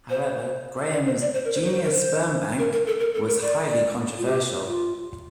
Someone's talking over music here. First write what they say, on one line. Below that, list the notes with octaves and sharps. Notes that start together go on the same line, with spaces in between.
However, Graham's "genius sperm bank" was highly controversial.
C5
D5
C5
D5
C5
A#4
C5
C5
C5
A#4
C5
A#4
A#4
A4
A#4
A4
A#4
D5
D5
F4
G4
F4